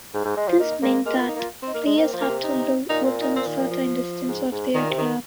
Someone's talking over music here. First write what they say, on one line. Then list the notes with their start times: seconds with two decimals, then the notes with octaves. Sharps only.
This meant that players had to live within a certain distance of their club.
0.14 G#2
0.25 G#2
0.37 G#3
0.48 F3
0.60 A#3 D#4
0.82 G#3 A#3
1.06 G#3 A#3
1.17 F4
1.21 A#3
1.28 D#4
1.36 A#3 F4
1.63 C4
1.67 D#4
1.74 A#3
1.83 G#3 D#4
1.98 A#3 C4
2.13 F3
2.20 A#3
2.28 C3
2.44 D#4
2.90 A#2 D#4
3.05 C4
3.21 D#4
3.36 C4
3.47 D#3
3.59 F3
3.70 F3
4.28 G#2
4.51 G#2
4.74 A#2 D#3
4.90 C3
4.98 D#3